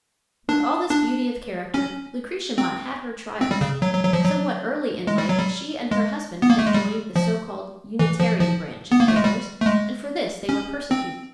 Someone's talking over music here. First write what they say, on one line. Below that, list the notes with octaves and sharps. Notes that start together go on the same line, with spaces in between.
With all this beauty of character, Lucretia Mott had her trials. Somewhat early in life she and her husband had joined the so-called Unitarian branch of Quakers, and for this they were persecuted.
D4
D4
C#4
C4
C4
G3
C#3
F#3
F#3
F#3
F3
F#3
G#3
G3
F#3
G3
G#3
B3
A#3
A3
G#3
G3
F3
E3
F3
F3
B3
A#3
A3
G#3
G3
A3
G#3
C#4
C4